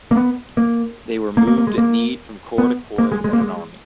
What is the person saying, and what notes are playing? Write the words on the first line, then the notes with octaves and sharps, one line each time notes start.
They were moved at need from corps to corps within an army.
A#3
B3
A#3
A#3
A#3
A#3
G#3
A#3
B3
A#3
G#3
G#3
A#3
G#3